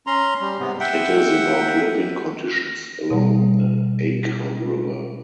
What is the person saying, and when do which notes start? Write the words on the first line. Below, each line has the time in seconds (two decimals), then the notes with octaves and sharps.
It is about living conditions along the Aker River.
0.07 C#4 A#5 C6
0.41 G3
0.59 G#2 C3 B3
0.80 E5 F#5 G5
3.11 B2 G3